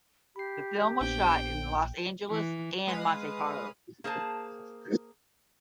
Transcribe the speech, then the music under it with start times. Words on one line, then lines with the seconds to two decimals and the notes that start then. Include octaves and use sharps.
The film was shot in Los Angeles and Monte Carlo.
0.36 G4 B5 C7
1.01 A#1 B3 D4 C5 G5
2.30 E3
2.87 G#3 B4 F5 D#6
4.04 A#3 G#4 C5 A5